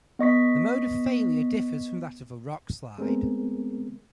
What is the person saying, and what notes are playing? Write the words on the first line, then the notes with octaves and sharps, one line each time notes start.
The mode of failure differs from that of a rockslide.
B3 D#5 C#6 B6
G#3 A3 B3 C4 G#4 A#4